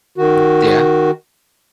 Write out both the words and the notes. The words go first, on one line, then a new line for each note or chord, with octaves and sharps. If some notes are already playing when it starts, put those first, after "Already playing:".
M Yeah.
D#3 F#4